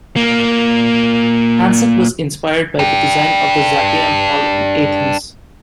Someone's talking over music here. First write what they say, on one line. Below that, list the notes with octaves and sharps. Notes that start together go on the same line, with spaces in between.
Hansen was inspired by the design of the Zappeion hall in Athens.
A#2 A#3
D4 G4